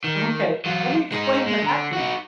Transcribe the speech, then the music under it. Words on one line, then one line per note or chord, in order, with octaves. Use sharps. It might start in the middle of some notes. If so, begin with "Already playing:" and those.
Okay. Let me explain what happened.
D#3
F#3 F4
G#3 D#4
G#3
D3
D#4 F#4